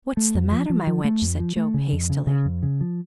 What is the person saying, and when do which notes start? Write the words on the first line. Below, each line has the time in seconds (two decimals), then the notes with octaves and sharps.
"What's the matter, my wench?" said Job, hastily.
0.17 A3
0.35 F2
0.52 F3
0.70 F3
0.87 F3
1.04 A3
1.22 F2
1.40 F3
1.57 A3
1.74 C#3
1.93 F2
2.10 C#3
2.27 C#3
2.46 F2
2.63 C#3
2.81 F3